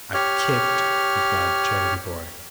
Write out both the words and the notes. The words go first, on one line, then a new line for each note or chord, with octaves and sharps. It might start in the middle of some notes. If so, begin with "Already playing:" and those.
'I kicked,' replied the charity-boy.
G4 C#5 F6